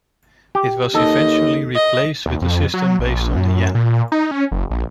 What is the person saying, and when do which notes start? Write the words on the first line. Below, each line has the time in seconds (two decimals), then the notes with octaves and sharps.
It was eventually replaced with a system based on the "yen".
0.55 G4
0.95 D#2 A4 D#5
1.75 D#5
2.26 D#2
2.42 F2
2.74 F#3
2.99 A#1
3.36 F#2
3.75 A#2
4.12 D#4
4.31 C#4
4.52 F#1
4.71 A#1